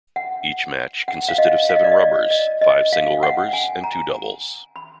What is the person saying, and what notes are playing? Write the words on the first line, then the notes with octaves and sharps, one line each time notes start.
Each match consisted of seven 'rubbers': five singles rubbers and two doubles.
F#5
F#5
F5
D#5
F5
D#5
D5
D#5
D5
D#5
D#5
F5
F#5
G#5
A#5
B5